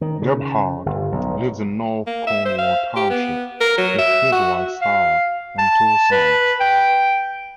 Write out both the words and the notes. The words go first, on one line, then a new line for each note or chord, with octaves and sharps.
Gebhard lives in North Cornwall Township with his wife Sarah and two sons.
D#3
C#3
G1
B1
A#3
E5
C5
F5
G4
B3
A#4
F#3
E5
F#4
F5
A5
B4
G5